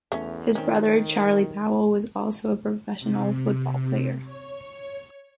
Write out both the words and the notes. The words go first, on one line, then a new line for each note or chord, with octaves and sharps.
His brother, Charlie Powell was also a professional football player.
E2 A3 C#4
D#3 C4 C#4
C3
C#5